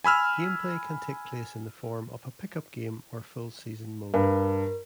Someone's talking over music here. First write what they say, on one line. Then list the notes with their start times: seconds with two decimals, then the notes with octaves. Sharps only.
Gameplay can take place in the form of a pickup game or full-season mode.
0.04 G#5 B5 E6 F6
4.14 G2 A#4